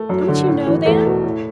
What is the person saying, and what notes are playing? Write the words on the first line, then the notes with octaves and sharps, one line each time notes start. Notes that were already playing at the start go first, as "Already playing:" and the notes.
Don't you know them?'
Already playing: A3
F#2
D3
A2
E3
E2 A3
B2
A2